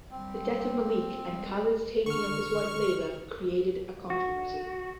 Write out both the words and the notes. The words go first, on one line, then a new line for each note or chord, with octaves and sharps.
The death of Malik and Khalid's taking of his wife Layla created a controversy.
G3 A#3 C4
G3 G#3
D3 C#6 F6
F#4